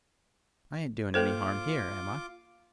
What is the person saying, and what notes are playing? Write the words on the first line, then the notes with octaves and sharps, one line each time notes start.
'I ain't doing any harm here, am I?'
A#3 F4 A4 C5 D6